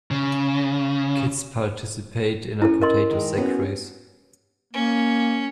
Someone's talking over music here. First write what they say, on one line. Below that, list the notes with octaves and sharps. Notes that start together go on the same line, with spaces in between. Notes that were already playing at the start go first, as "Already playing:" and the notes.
Kids participate in a potato sack race.
C#3
C#4 E4 A4
A#4 D#5 C6
D#3 G#3
B3 C#4 F#4
A#3 C#4